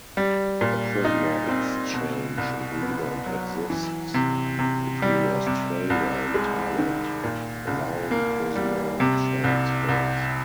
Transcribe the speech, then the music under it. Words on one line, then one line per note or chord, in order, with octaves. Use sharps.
A prisoner exchange agreement exists between Australia and Thailand allowing prisoner transfers.
G3
A#2
D#4
C4
B2
C2
B3
F#3
E3
C3
C3
G3
C3
C2
G#3
D#3
A#2
C2
A#3
G3
C3
C2
C2